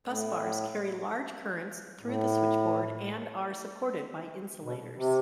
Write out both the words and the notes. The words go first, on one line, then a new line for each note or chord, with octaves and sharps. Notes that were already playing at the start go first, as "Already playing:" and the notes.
Busbars carry large currents through the switchboard, and are supported by insulators.
A2
A2
B2
C3